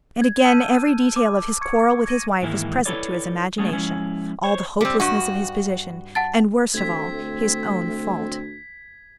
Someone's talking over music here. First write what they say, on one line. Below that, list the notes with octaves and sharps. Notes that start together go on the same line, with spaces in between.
And again every detail of his quarrel with his wife was present to his imagination, all the hopelessness of his position, and worst of all, his own fault.
G#6
A5 E6 F6 G6 D#7
D6
C#6 G#6 C#7
G#6 A#6 D#7
G#2 D#3 E3 G#3 A#3 E4
E4 A4 B4 C#5 D5
G#3 A3 B3 C#4 G#4
F3 G#3 C#4 E4
C5 C#5
G3 C4
G2 F#4
F#5 A5 A6
D2 A3 C4 G#6 B6